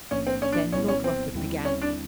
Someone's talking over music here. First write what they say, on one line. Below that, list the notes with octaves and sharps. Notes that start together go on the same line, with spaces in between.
Then Lord Rufford began.
B1 A2 F3 A#3 C#4 D4
C4
C#4
D4
C2 A#2 F#3 B3 C#4 E4
C#4
C4
D#2 D3 G3 C4 E4
C#4
D4